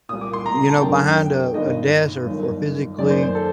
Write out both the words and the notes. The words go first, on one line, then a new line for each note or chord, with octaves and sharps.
you know, behind a a desk, or f or physically,
C2 A#2 D#6
D6
C6
A#5
A#5
A5
F#1 F#2 D3 G5
G5
G1 G2 D#3 D#5
G1 F#2 D#3
F#1 F#2 D#3 D5
C5
C5
A4